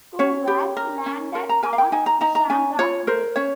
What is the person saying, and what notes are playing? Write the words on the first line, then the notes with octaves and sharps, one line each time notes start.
Two were landed on "Shamrock Bay".
C#4 C#5
G4
A#4
C#4
A#4
A#5
A#4 G#5
F5
G5
D#4 G#5
A#5
D#4 A#5
A#5
C#4 G#5
F4 C#5
A#4 C5
C#4 C#5